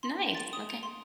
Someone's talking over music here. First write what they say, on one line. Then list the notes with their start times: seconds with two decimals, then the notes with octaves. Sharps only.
Nice, okay.
0.03 C6
0.35 A6
0.53 D#6
0.69 F7
0.83 C6